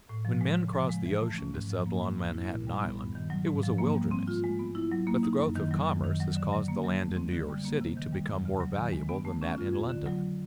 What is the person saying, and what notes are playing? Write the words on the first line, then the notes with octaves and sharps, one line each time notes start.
When men crossed the ocean to settle on Manhattan Island, it was a wilderness; but the growth of commerce has caused the land in New York city to become more valuable than that in London.
A2
F3
G#3
C#3
F3
G#3
E3
A3
C#4
G#2
F3
A#3
G#3
C4
E4
A#2
G3
B3
G2
D#3
F#3
G#2
F3
A#3
G3
C4
F4
G#3
B3
E4
F#3
A#3
D#4
F#2
D#3
F#3
F#2
D#3
F#3
D3
F#3
A#3
F#3
A3
C4
D3
G3
A#3
C3
D#3
G3
E2
C#3
F#3
D#3
G#3
B3
A3
C#4
F4
F2
D3
F#3